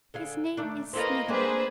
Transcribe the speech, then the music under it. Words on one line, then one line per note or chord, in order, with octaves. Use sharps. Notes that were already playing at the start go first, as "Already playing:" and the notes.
His name is Snegiryov.
D3 G#4 F5
D#3 A3 D4
A#3 C4 E4 A4 B4 D#5
A#3 C4 D4 G#4 B4 C5